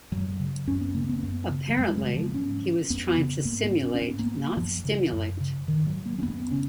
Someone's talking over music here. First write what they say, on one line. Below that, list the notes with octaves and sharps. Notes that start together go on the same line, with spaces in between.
Apparently, he was trying to simulate not stimulate!
F#2 F#3
C#3
F#2 C#4
B3
C#3 A#3
B3
F#2 B3
C#3
F#3
F2 G#3
G#3
C#3
F3
B3
G#2 C#4
F2 B3
C#3
G#2 A#3
B3
C#4
C#4
G#2 B3
A#3
F#2 F3
C#3
F#2
C#3
G#2 D#3
F#3
A#3
C#4
F2 B3
C#3 C#4